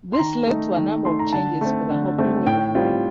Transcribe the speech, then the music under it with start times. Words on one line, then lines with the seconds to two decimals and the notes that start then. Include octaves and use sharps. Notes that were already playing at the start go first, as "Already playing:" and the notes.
This led to a number of changes for the Hopi way of life.
0.13 C6
0.19 D#3 A#5
0.47 A3 D#4
0.76 D#3
1.05 A3 D#4 C6
1.19 A#5
1.33 D3 A5
1.61 A3 C4
1.90 D3
2.18 A3 C4
2.46 A2 G5
2.75 G3 C4 F4